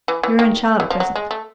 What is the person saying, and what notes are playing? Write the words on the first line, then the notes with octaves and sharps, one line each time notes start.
"Your own child at present."
E3
E3
D#3
E3
F3
F#3
G#3
A3